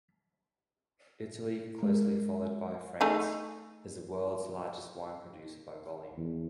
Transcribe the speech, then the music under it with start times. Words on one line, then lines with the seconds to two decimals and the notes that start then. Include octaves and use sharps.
Italy, closely followed by France, is the world's largest wine producer by volume.
1.78 G#3 A#4
3.01 A3 D#4 G#4
6.17 E2